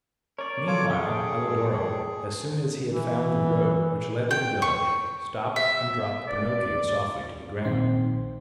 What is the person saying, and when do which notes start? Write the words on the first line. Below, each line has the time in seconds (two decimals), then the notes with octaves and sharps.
Meanwhile, Alidoro, as soon as he had found the road which led to the village, stopped and dropped Pinocchio softly to the ground.
0.39 A#4 C#5 D5
0.68 F4 A4 C#5 D6
0.90 C#4 G4 G#4 G5
1.48 G#3 G4
2.93 E3
4.31 G5
4.62 C#6
5.56 E5
6.28 D5
7.65 A#1 D#3 C4 C6